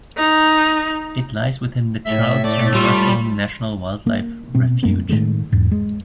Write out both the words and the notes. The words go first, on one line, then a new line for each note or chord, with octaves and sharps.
It lies within the Charles M. Russell National Wildlife Refuge.
D#4
A2 E5
A3 D5
G3 F4
A#3
B2 C4
F#2 A3 A#3 C4
A2 D#3 G#3 A3
E2 G#2
G#3